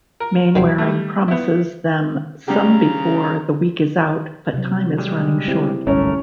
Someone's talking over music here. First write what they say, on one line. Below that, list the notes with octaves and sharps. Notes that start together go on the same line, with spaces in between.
Mainwaring promises them some before the week is out, but time is running short.
A#4
D#3 F#3 C4
G3 A3
B3 E4
C#3 G3 G4 A#5
C3 F#3
G3 G#3
C4 E4 G4
G1 C2 G#2 A3 C#4 A#4 C#5